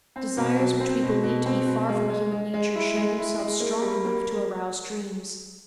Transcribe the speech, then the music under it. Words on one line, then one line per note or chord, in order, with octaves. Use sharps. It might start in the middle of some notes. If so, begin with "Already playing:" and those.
Desires which we believe to be far from human nature show themselves strong enough to arouse dreams.
C4
B2
F#3
C4
B2
B2
C4
B2
G#3
G#3
G#3
G#3
E4
G#3
E4
G#3
A#3
G3
A#3